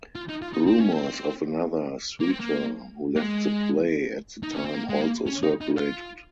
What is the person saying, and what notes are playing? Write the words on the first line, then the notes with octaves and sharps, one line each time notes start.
Rumors of another suitor who left the play at the time also circulated.
F4
D#4
F4
D#4
C4
C#4
C4
A#3
C4
A#3
A#3
G#3
D#4
C#4
C4
A#3
G#3
A#3
C#4
D#4
D#4
F4